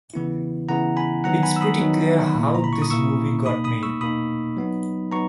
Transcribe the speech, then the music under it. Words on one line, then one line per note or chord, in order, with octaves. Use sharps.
It's pretty clear how this movie got made.
C#3 E3 B3 E4
C#3 E3 B3 E4 F#5 A#5
G#5 B5
D#3 F#3 B3 D#4 F#5 A#5
G#5 B5
E6
B5 D#6
D#3 F#3 B3 D#4
A#2 A#3 E4
A#5
B5
C#6
D#6
A#2 A#3 E4 C#6 E6
B2 A#3 D#4 B5 D#6
B5 D#6
C#6 E6
B2 A#3 D#4 B5 D#6
F#3 B3 D#4
F#3 B3 D#4 A#5 C#6